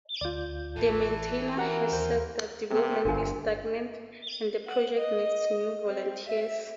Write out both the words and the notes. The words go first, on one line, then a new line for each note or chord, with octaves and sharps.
The maintainer has said that development is stagnant and the project needs new volunteers.
D2 F4 D5 G6
A1 E3 A4
C#4 F#4 G4 A#4 F#5 A#5
D#2 C5 G6
C3 B3 C4 G#4
G1 D2 D4 F4 A#4 C5 G#5
F#5
D#5
C4
E5